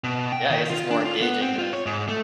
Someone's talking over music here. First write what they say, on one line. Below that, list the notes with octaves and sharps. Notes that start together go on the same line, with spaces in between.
Yeah, I guess it's more engaging, you know, so
B2
G5
D#3
F4
D4
F4
B3
C4
F4
C#5
G#2
A3